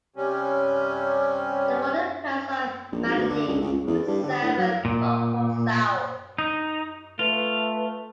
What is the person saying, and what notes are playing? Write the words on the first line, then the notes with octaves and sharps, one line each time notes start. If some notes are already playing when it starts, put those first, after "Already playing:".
They were the parents of Malani, the seventh "Roko Sau".
C3 G3 C#4
A#1
G#1
D2
D3
C#2
C#2
C#2
E2
G2
D3
A2
F#3
A#2
D#4
A3 F4 B4